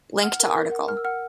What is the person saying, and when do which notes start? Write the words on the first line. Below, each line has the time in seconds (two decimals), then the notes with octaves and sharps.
Link to article.
0.23 F#5 F6
0.40 A#4
0.56 A#4
0.72 F#5
0.88 A#4 F6
0.97 E6
1.05 F#5 F6